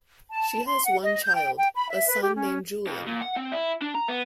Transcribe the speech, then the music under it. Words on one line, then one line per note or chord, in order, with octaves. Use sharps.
She has one child, a son named Julian.
A5
C6
F#5
D#5
G6
G5
G5
B5
E5
B4
G4
C#4
F2
A#2
F#5
C4
E4
D4
A#5
B3